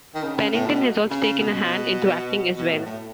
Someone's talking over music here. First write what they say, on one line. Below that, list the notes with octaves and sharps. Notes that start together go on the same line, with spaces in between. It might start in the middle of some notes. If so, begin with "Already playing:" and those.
Pennington has also taken a hand into acting as well.
D#3
C#3
C#3
A2
B2
C#3
B2
B2
A2
A2